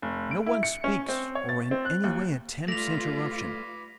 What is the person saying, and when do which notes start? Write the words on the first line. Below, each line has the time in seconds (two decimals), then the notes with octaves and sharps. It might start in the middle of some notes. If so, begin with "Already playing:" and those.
No one speaks, or in any way attempts interruption.
0.02 F1
0.31 D7
0.46 E4
0.63 C#7
0.84 C#4
1.09 C4
1.35 C#5
1.49 A6
1.71 C4
1.85 F#6
2.04 D#2
2.68 G3 A3 F4 B4 D5 A#6 F7